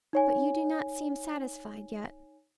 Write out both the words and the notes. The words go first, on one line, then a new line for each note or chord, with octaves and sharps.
But you do not seem satisfied yet?
D#4 C#5 G#5